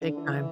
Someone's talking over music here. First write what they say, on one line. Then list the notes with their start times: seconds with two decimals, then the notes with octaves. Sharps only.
Big time.
0.01 D3
0.17 E3
0.33 E3